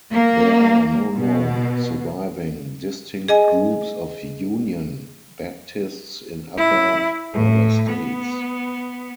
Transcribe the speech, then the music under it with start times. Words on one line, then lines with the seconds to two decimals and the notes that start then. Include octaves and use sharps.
There are no known surviving distinct groups of "Union" Baptists in other border states.
0.12 A#3
1.16 B2
3.28 G#4 D#5 G#5
6.57 E4
7.34 A2
7.89 B3